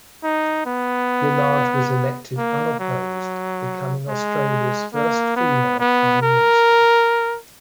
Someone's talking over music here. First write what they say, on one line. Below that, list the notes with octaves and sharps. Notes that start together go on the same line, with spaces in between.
Gillard was elected unopposed, becoming Australia's first female prime minister.
D#4
B3
A#3
F#3
G#3
A#3
B3
B3
A#4